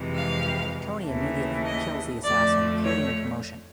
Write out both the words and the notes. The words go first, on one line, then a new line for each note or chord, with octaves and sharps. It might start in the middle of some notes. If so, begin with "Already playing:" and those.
Tony immediately kills the assassin, creating a commotion.
Already playing: F2 C3 E3 G#3
F5
D#2 C#3 E3 A3
D#5
F2 D3 F3 A3 D5
C#5